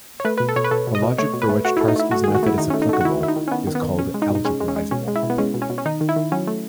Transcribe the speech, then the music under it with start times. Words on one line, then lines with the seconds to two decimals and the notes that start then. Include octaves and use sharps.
A logic for which Tarski's method is applicable, is called "algebraizable".
0.20 C#5
0.25 A3 B4
0.38 B2 B4
0.49 A4
0.56 B2 C#5
0.64 B4
0.71 B2 A4
0.87 B2
0.95 D#5
1.02 B2
1.18 A3 C#5
1.34 B2
1.42 B4
1.49 A3
1.65 A3 F#4
1.77 A3 E4
1.88 D#4
1.96 A3 E4
2.11 A3 F#4
2.24 D#3 G#4
2.35 F#4
2.43 A3 E4
2.58 D#3 D#4
2.70 A3 C#4
2.82 D#4
2.89 A3 F#4
3.01 F#4
3.05 D#3 E4
3.21 D#3 E4
3.28 D#4
3.36 D#3
3.48 C#4
3.51 D#3 B3
3.67 D#3
3.75 B3
3.83 D#3
3.98 B2 C#4
4.14 G#3
4.22 D#4
4.29 B2
4.35 D#4
4.45 G#3 C#4
4.60 G#3
4.68 C#4
4.76 G#3
4.91 B2 C#4
5.08 G#3
5.16 E4
5.23 B2
5.30 B3
5.38 G#3 C#4
5.54 B2
5.62 C#4
5.70 B2
5.78 C#4
5.85 D#3 D#4
6.01 D#3
6.09 E4
6.16 D#3
6.32 F#3 C#4
6.47 A3